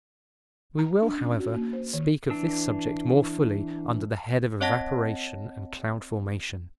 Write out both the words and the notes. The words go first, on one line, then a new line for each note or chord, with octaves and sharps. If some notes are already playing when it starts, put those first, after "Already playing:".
We will, however, speak of this subject more fully under the head of evaporation and cloud formation.
A#5
D4
C#4
F#4
A#3
C5
D#3
E3 D4 E6
C4 C#5 D#5 F#5 A5 A#6